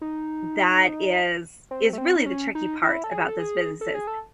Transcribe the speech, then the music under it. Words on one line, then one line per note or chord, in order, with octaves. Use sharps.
that is is really the tricky part about this businesses.
D#4
C4
A3
C4
D#4
C#4
D#4
E4
A4
G#4
A4
G#4
A4
G#4
A4